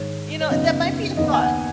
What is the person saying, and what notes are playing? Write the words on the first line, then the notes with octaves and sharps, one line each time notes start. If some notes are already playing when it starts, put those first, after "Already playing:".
You know, that might be a thought.
Already playing: G#2 D#3 G#3 C#5
C#5
F#1 F#2 C#3 B3 D#4 D#5
D#2 D#3 B3 D#5
G#5
F#5